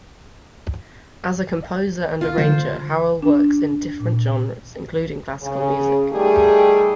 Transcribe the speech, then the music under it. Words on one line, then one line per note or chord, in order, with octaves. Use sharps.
As a composer and arranger, Harrell works in different genres, including classical music.
F4
D3 C5
D4
A#2
C#3
D#3 G3 A3 G4 G#4